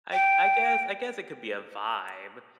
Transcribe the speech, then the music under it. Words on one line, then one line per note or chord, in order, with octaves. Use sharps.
I I guess I guess it could be a vibe.
G5